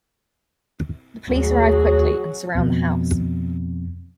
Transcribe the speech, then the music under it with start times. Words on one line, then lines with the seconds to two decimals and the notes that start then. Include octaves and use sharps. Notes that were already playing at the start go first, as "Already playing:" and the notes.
The police arrive quickly and surround the house.
1.28 D#2 F#3 A3 F#4 G#4
2.55 F2 B2